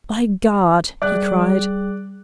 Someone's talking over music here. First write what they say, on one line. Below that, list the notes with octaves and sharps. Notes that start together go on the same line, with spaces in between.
"By God!" he cried.
G3 G#4 D5 F#6